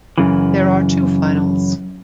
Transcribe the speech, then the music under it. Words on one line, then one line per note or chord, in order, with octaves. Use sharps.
There are two finals.
F#2 C#3 E3